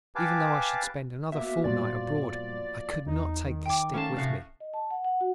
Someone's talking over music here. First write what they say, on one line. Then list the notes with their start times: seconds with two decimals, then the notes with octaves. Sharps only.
Even though I should spend another fortnight abroad I could not take this stick with me.
0.15 G4 B4 F5 G#5 A5 D6
1.32 B2 A#3 E5
1.64 F#2 A#2 F3 G3 D5
3.07 E2 D#4
3.46 D#3
3.66 D#3 G5 D6
3.94 A3 C#4 F5 A5
4.17 A2 C3 F#4 F5
4.60 D#5
4.74 A5
4.91 F#5
5.05 F#5
5.21 F#4